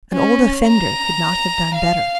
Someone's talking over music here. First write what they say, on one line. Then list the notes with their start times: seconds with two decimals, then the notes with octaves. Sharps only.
An old offender could not have done better.
0.13 C#4
0.68 A#5
1.74 F5